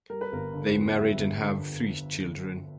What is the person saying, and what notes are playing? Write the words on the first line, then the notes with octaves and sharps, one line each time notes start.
They married and have three children.
G3 A#4
B4
G1 A#4
D3
F2
G3 E5
G1
D3